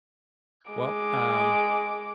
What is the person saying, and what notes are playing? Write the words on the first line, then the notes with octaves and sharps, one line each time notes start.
Well, um,
G#3 D6